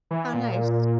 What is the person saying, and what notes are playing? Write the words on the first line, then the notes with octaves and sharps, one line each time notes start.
Aw, nice.
E3
A#2